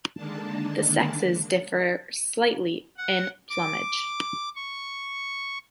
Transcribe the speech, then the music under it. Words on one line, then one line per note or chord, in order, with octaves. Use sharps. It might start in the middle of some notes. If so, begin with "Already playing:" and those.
The sexes differ slightly in plumage.
D3 D#3 G#3 A#3 D4 A5
F#5
D6
C#6